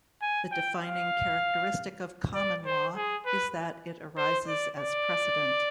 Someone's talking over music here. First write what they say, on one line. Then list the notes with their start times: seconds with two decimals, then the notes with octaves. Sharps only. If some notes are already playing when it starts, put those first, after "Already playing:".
The defining characteristic of "common law" is that it arises as precedent.
0.22 G#5
0.52 G5
0.82 F5
2.34 D5
2.65 C5
2.96 G#4
3.26 B4
4.17 C5
4.47 D5
4.78 D5